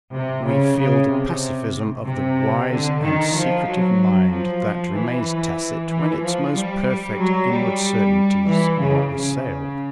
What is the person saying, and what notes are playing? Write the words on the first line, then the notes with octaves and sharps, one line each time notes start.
We feel the pacifism of the wise and secretive mind that remains tacit when its most perfect inward certainties are assailed.
C3
C#3
C#3
C3
C3
D3
D#3
F3
F#3
F3
E3
E3
F3
G3
G3
F#3
G3
E3
C#3
C#3